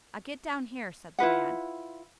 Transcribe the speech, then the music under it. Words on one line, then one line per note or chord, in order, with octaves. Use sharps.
"I get down here," said the man.
E4 F4 B4 F#5